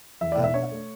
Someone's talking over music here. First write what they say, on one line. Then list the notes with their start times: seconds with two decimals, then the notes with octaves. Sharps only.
Um, uh
0.21 E2 E5
0.32 D5
0.38 B2
0.44 E5
0.54 D4 C#5
0.72 A3